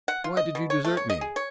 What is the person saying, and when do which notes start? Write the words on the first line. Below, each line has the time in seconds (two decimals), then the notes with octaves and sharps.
Why did you desert me?
0.08 F#5
0.24 F4
0.37 D#5
0.55 B2
0.70 C#5
0.85 A3
0.97 C#5
1.10 D#5
1.21 G#4
1.36 C#5